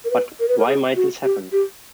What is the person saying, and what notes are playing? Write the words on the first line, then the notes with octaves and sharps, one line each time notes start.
But, why might this happen?
A#4
B4
A#4
B4
A#4
G#4
F#4
G4
G4